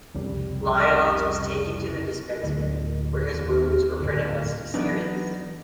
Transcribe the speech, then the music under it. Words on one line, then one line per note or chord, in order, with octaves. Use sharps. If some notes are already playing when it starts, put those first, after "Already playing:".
Lyons was taken to the Dispensary, where his wounds were pronounced serious.
C2 F2 C#3 G3
D2 A2 D3
D#2
D1 G#2 C#3
E3 F#3 B3 D4 D#4